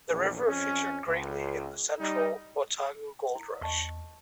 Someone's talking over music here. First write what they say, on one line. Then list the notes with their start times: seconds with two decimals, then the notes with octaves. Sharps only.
The river featured greatly in the Central Otago goldrush.
0.11 A#1 E2
0.47 F2 C#4
1.07 C#2
1.99 G3 D#4
3.35 E4
3.61 E2 D#5 A5 C#6